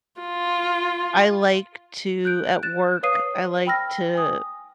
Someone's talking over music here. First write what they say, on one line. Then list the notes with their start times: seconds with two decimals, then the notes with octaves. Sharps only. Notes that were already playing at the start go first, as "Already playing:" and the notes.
I like to, at work, I like to
0.21 F4
2.25 F#6 G6 D7
2.63 F#6 A6 E7
3.03 B4 C#5 F5 D#6 C7 D#7
3.67 G5 B5 E6 F6 A#6
4.14 G#5 D#6